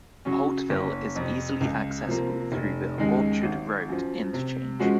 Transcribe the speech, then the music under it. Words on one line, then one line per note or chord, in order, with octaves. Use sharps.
Holtville is easily accessible through the Orchard Road interchange.
C#3 F#3 C#4
F#1
F2 C3
C#2
C3 F3 A#3
F1
D#2 C#3 G#3 D#4
G#1
F#2 F3
C3
F3 G#3 C#4 F#4